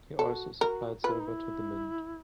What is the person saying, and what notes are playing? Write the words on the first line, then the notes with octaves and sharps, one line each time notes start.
He also supplied silver to the mint.
F#4 A4
F#4 A#4
F4 B4
E4
D#4
E4